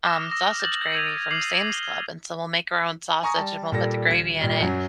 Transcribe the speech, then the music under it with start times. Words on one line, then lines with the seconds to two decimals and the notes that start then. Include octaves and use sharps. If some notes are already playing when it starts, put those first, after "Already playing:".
um, sausage gravy from Sam's Club. And so, we'll make our own sausage, and we'll put the gravy in it.
0.04 D6 D#6 F6 A#6 E7
0.31 D6 E6 A#6
0.60 G6 A6 F#7
0.94 E6 G#6 D#7 F7 F#7
1.31 D6 F6 C7 F7 F#7
1.70 D6 C7 F#7 G7
3.23 G#5 A#5 C#6 D#6 A#6
3.37 G3 A5
3.72 A#2 G3 A4 A#6
4.10 D#1 G#6
4.41 A#2 G3
4.60 F#2 F#3